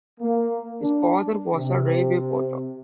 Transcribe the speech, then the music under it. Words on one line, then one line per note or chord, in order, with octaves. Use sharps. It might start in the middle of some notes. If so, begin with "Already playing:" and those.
His father was a railway porter.
A#3
D4
C3